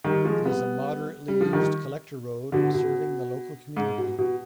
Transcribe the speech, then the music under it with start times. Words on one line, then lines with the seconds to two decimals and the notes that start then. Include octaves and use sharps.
It is a moderately used collector road serving the local community.
0.04 D#3 G3
0.25 F3 G#3
0.45 G3 B3
1.28 G3
1.41 F3
1.53 D#3 G3
2.52 B2 D3
2.74 B2
3.77 G#2
3.98 B2
4.18 B2